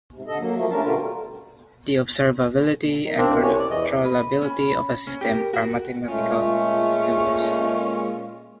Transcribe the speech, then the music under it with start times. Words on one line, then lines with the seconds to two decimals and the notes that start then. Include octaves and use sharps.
The observability and controllability of a system are mathematical duals.
0.14 G#2 C3
0.27 D3 A4 D#5
0.39 F#3 A#3
0.55 F3 A3 A#3
0.70 G3 A3 C#4 D4 A#4 A5
0.82 B2 D3 G3 A3 F4 A#4
3.05 D#3
3.18 A#3 C4 D4
3.30 C2
3.43 C#4 C#5
3.59 D5
3.71 E2 D#5
4.05 B4
4.42 C#4 B5
5.07 C#4
5.21 G4 A#4
5.53 F#4 A#4
6.09 A#2 G#3 A3 C#4 F4